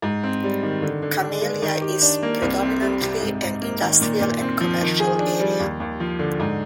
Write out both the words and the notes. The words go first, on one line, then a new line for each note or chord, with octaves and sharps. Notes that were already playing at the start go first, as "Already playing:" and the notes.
Camellia is predominantly an industrial and commercial area.
G#2
C4
G3
D#3
D3
D3
D4
G#3
D#3
G4
D4
A#3
C2
C4
G3
C3
G#2
G#2
A#3
D#3
A#2
A#2
C4
F3
D#3
G#4
D4
G3
D#2
D#2
F3
D3
G#2